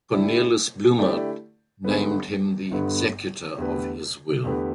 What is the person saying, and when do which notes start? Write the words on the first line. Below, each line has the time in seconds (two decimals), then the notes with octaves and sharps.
Cornelis Bloemaert named him the executor of his will.
0.11 D3 A3 E4 G4 D5
0.98 D3 A3 E4 G4 D5
1.84 G1 G2 D3 B3
2.71 G1 G2 D3 B3
3.58 E2 D3 A3 G4 B4
4.44 E2 D3 A3 G4 B4